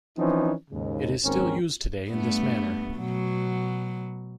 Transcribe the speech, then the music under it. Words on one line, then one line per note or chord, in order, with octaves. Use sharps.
It is still used today in this manner.
E3 F3 C4 C#4 D#4
D#2 G#2 C#3
G#1 D#2 G#2 C4 C#4 A#4
G2 A3 B3
B2 F#3